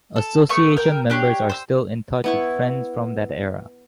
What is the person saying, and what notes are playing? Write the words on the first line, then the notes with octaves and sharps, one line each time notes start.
Association members are still in touch with friends from that era.
A4
A3 B3 C#6
A#4 G5
D4 G4 B4 C#5
C5 E6
B3 E4 C#6